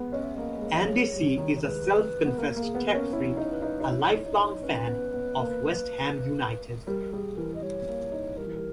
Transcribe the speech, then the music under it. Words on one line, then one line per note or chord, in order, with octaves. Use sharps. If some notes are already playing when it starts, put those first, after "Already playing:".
Andy C is a self-confessed tech freak, a lifelong fan of West Ham United.
Already playing: G#3 B3
C#4 D#5
E5
A#3 D#5
G#3
A#3
A#3
G#3 C#5
G3
D#3
C#5
G#3 B4
B3
A#3 A#4
A#3
G#4
B3
A#4
C#4
E4 C#5
D#4
C#5
B4
D#4
D#4
E4 C#5
D#4
D#4
D#4
C#4 B4
B3
B3
A#3
G3 A#4
G3 G#4
E3 A#4
D#5
G3 C#5
A#3
D#4
G3 A#4
E3
G3